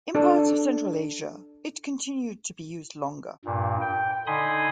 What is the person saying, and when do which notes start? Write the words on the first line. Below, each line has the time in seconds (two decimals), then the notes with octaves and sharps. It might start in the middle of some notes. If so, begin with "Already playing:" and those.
In parts of Central Asia, it continued to be used longer.
0.15 D4 A4
3.45 G2 A#2
3.81 G5
4.27 D3 D#4 G#5 B5 C6 D#6